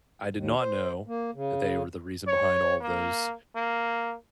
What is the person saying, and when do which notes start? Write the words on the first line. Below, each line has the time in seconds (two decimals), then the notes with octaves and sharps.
I did not know that they were the reason behind all those,
0.35 D#2
0.59 C5
1.07 A#3
1.34 C#3
2.27 C#5
2.81 A#3
3.56 A#3